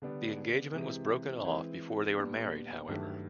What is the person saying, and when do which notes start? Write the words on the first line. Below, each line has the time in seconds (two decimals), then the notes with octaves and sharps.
The engagement was broken off before they married however.
0.02 D3 G3 B3 D4
0.73 C3 E3 G#3
1.45 E3 G#3 C4
2.16 A#2 G3 B3 D4
2.88 G2 D#3 F#3 A3